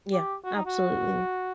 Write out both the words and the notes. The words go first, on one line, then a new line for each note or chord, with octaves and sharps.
Yeah. Absolutely.
G4
F#4
D#4
F#4